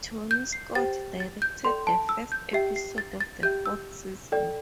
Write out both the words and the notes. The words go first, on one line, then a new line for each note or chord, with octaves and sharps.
Tony Scott directed the first episode of the fourth season.
G6
C7
G4 C5 G5 A6
A6
G6
A4 D5 G5 C6
A5
E6
G6
G4 E5 G5 C7
C7
A6
A6
G4 E5 G5 G6
E6
A4 D5 G5